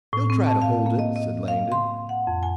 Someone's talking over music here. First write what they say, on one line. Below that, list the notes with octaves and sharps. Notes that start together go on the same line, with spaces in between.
"He'll try to hold it," said Langdon.
A2
C4
A5
F5
A#3
D#5
D#5
F5
C6
F#5
F2
G#5